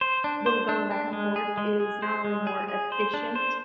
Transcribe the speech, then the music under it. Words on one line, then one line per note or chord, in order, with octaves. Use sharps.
little going back and forth is not only more efficient
C5
D4
C5
D4
D4
G#3
G#4
G#3
G#4
C5
G#3
G#4
G#4
C5
D4
C5